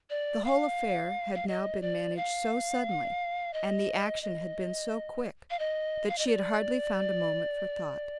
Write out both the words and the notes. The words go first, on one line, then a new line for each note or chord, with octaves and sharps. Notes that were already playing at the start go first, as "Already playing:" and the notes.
The whole affair had now been managed so suddenly, and the action had been so quick, that she had hardly found a moment for thought.
D5
F5
F5
D#5
D5
F5
D#5
D#5
F5
D#5
F5
D#5
D5